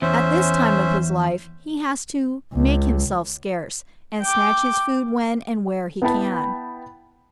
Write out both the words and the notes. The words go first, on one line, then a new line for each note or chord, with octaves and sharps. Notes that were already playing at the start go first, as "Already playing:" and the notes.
At this time of his life he has to "make himself scarce," and snatch his food when and where he can.
E2 C#4 C5 E5
C#2
G5 D6
B3 E4 G5 A5 B5